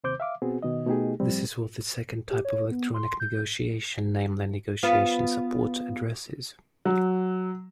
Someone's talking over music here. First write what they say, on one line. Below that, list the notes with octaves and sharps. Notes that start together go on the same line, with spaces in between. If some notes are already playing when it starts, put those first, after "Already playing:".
This is what the second type of Electronic negotiation, namely Negotiation Support, addresses.
D#2 C3 C5 D6 G6
E5 F5 D6
B2 B3 C4 F#4 G#4
B2 D#3 D#5
B2 A3 D#4 G4 G#4
A2 F3 G3 C4
G4
C#5
B3
C6
G6
B3 F4 F5
F#3